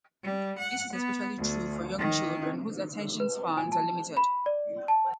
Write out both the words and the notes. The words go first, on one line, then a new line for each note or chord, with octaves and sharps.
This is especially true for young children, whose attention spans are limited.
G3
F#5
B3
D2
D#3
B4
G#5
A5
B5
D5
A5